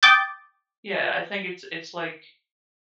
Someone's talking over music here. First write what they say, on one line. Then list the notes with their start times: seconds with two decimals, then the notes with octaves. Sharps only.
Yeah, I think it's it's like,
0.03 G5 D6 D#6 G6 A6